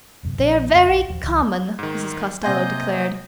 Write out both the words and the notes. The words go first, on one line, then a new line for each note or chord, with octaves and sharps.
"They are very common," Mrs. Costello declared.
E1 F#2 C3
A#1 A#2 F3
F2 C#3
A#1
D#1 E3 F3
C#2 E3
G#2 D#3
C3 A#3 D#5 F#5 G#5 C6 G6 A#6